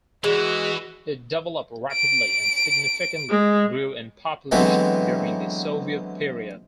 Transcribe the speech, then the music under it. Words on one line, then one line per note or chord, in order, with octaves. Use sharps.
It developed rapidly and significantly grew in population during the Soviet period.
E3 G#3 F#4
D7
G#3
D3 E3 F#3 G#3 B3 C4